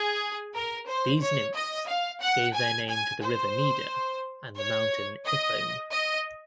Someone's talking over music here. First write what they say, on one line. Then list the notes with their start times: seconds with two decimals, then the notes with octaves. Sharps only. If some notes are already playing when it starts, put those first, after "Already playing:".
These nymphs gave their name to the river Neda and mountain Ithome.
Already playing: G#4
0.54 A#4
0.87 C5
1.21 C#5
1.55 D#5
1.87 F5
2.21 F#5
2.54 G#5
2.88 G#5
3.22 C5
4.57 C#5
5.24 D#5
5.91 D#5